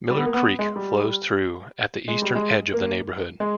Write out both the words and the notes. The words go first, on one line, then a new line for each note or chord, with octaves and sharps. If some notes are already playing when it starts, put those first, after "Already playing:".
Miller Creek flows through at the eastern edge of the neighborhood.
G3
B3
A#3
B3
G#3
G3
G#3
G3
G#3
A#3
G#3